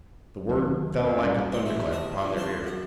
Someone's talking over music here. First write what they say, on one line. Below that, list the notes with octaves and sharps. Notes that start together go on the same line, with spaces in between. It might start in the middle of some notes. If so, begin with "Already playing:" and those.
The word fell like a thunderclap upon their ears.
D2 D#3 F#3
F#2
C2 G2 G3
E4 F#4 C6
E3 G#3 A3 E4
C3 D#5 A5
E3 F3
F5 A5 C6 C#6
F#2 F#5